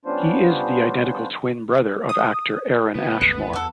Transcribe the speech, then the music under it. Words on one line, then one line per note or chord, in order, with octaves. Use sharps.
He is the identical twin brother of actor Aaron Ashmore.
G3 B3 C#4 D4 F4 C5
D#6
C#3 F#3 A#3 B3
G#1 D#2 B2 D3 A3 F#6
E2 E3 B3 F#4 A4